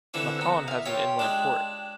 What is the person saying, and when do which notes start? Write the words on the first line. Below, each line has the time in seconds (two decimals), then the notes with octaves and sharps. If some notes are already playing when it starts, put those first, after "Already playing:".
Mâcon has an inland port.
0.14 D3 E3 C4
0.41 B3 A#5
0.68 E5 F5
0.86 F4 G4 C#5 G5
1.19 G#3 D4